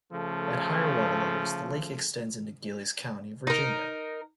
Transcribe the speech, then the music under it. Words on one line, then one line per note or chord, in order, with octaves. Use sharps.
At higher water levels, the lake extends into Giles County, Virginia.
C#3 F3 A3 A4
D#4 A#4